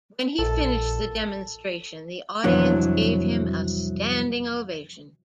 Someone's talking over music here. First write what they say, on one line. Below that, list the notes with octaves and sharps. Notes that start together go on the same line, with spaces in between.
When he finished the demonstration, the audience gave him a standing ovation.
A#1 A4
C2 F2 E3 F#3 D4